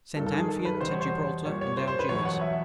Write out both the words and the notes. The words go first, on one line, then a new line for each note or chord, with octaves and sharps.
Sent Amphion to Gibraltar and Algiers.
G2 D#3 G3 A4
A4
G#4
A4
B4
E2 B2 G3 C5
C#5
C5
A#2 G3 C#5
C#5
C5
C5
B4
E2 B2 F#3 C#5
F#5
E5